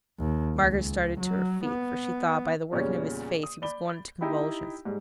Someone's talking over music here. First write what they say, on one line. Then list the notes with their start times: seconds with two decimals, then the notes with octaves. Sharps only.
Margaret started to her feet,--for she thought, by the working of his face, he was going into convulsions.
0.19 D#2
0.57 C#2
1.19 F#3
1.65 B3
2.72 E2 A#2 C#3 G3 C#4
3.43 D#6
3.62 D5 B5 G7
4.21 D#4 E4 G4 G5 B5
4.85 G#2 G3